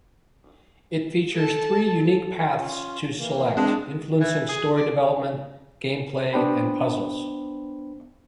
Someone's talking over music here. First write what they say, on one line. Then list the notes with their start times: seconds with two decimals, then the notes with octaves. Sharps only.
It features three unique paths to select, influencing story development, gameplay and puzzles.
1.33 A4 A5
2.59 C#4 F4
3.18 E3 A#3
3.57 G#3 C4 D4
4.20 E3
4.49 G#4
4.76 D5
6.33 B3 D4 C5 G5 B5